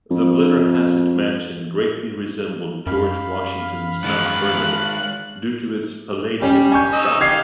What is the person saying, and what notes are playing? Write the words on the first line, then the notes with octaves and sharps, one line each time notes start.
The Blennerhasset mansion greatly resembled George Washington's Mount Vernon, due to its Palladian style.
F2
F#2 F5 B5
D#3 G#3 F#6
G3 C#4 G4
G#5 C#6 G6
D#4 D#5 E6
D#4 G4 F5 D6 G#6 C7